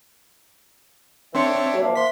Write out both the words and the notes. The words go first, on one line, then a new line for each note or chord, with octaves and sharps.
It’ll it'll
C4 D4 C#5 E5 C6 C#7
A#3 E5 A5
C5 E5 C6 B6